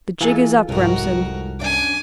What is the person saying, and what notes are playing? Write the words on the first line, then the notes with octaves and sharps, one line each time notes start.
The jig is up, Remsen.
E3 F4 G#4 A4
C2 F2 G#2 F#4 A#4
F#2 D4 G#5 D6